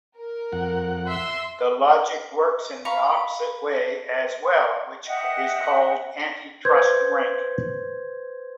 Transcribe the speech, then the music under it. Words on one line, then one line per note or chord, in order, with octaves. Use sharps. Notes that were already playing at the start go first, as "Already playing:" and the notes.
The logic works in the opposite way as well, which is called Anti-Trust Rank.
A#4
F2 F#5
E5 C6 E6
F5 A#5 B5 C#6
D#5 E5 F#5 G5
B4 C5 C6 G6 G#6